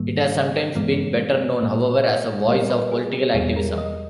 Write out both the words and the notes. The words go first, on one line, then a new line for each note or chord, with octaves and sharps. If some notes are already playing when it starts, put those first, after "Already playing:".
It has sometimes been better known, however, as a voice of political activism.
Already playing: G#2 D#3 G3 A#3
G2 E3 G#3 B3
A#2 A#3
A#2 G3 B3 A#4
B4
G#4
G4
E2 B2 G3 B3 G#4
A#4
D#5